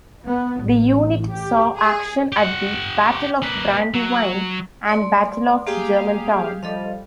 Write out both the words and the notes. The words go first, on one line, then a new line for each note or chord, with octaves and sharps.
The unit saw action at the Battle of Brandywine and Battle of Germantown.
B3
A1
G4
G#4
G4 F#5
A#3 B4
F#3
A3 D5 C6
A#3 G4 G#4 F5
F3 G3 A4 D#5 F5